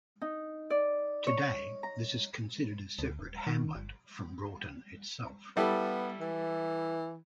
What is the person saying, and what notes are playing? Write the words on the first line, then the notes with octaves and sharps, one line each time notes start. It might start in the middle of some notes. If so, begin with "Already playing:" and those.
Today, this is considered a separate hamlet from Broughton itself.
D#4
D5
C#5
A#5
D2
D#1
D#3
G1
G3 B3 E4 A4
E3